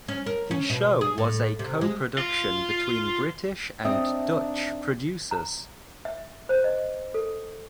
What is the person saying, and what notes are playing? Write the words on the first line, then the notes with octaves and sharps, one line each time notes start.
The show was a co-production between British and Dutch producers.
C#4
A#4
C#4
B2
G#4
A2
C3
G#3
F4
C4 D4 D#4 D5 E5 D#6
A#5
E5
C5
D#5
A4